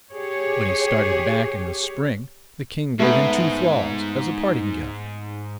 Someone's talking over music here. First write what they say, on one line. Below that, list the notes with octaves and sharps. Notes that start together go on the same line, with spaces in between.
When he started back in the spring, the king gave him two thralls as a parting gift.
G4 G#4 C#5
G#2 A3 B3